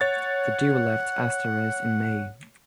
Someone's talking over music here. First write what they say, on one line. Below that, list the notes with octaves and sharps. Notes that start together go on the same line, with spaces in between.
The duo left Asteras in May.
C#5 F#5 A6